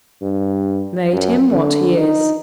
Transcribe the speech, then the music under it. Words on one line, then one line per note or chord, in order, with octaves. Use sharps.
Made him what he is!
G2
F#2
D3
D#4